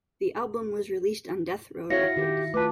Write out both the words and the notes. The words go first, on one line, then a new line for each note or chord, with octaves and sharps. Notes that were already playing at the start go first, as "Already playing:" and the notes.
The album was released on Death Row Records.
E4 F#4 C#5 E5 F5 A#6 C#7
D#3 F#4 G4
A3 F4 B4 A5 D6